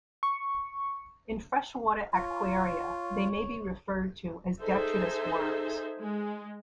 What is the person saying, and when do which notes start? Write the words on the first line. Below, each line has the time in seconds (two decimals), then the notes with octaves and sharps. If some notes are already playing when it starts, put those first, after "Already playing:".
In freshwater aquaria they may be referred to as detritus worms.
0.23 C#6
2.13 F4 C#5
4.61 D#4 G#4 A4 C5 E5
5.99 G#3